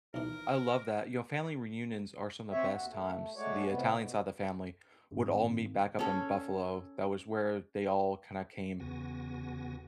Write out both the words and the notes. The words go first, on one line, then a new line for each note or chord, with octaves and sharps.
I love that, you know, family reunions are some of best times. The Italian side of the family would all meet back up in Buffalo, that was where they all kinda came
B1 E3 A#4
C4 C#5 E5
D#2 F#4
A3
G#3 A3 F#4 C#5 D5
A2 C3 B3
B2
G#1
C#4 A4 C#5
E2 C#3 B3 F#4 G#5 A#6